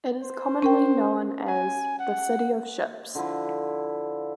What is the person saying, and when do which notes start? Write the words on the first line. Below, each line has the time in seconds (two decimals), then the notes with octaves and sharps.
It is commonly known as The City of Ships.
0.23 C5
0.62 C#4 A#4 G5
1.47 G#5
1.99 F#5
3.15 D3 F3 E4